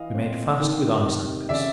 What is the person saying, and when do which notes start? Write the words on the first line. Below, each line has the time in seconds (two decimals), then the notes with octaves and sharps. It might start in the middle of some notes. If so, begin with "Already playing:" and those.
We made fast with ice anchors.
Already playing: E3 D#5 F5
0.15 C4
0.60 D#3
1.04 C3
1.49 C#3 D5 E5